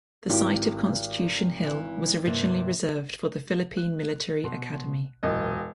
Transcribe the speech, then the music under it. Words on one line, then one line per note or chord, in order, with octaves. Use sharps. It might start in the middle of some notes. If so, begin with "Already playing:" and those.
The site of Constitution Hill was originally reserved for the Philippine Military Academy.
G#1 E4 G4
E3
G2 C3 A#3
F#6
B2 C6
E1 F#2 A#2 E3 D#5